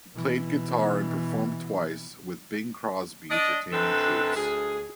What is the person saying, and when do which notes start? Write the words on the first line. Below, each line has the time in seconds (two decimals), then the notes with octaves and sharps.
He played guitar and performed twice with Bing Crosby entertaining troops.
0.14 B2 E3
3.30 D4 D5 D#5
3.72 F#2 D3 C4 A4 B4
4.35 D2 G#4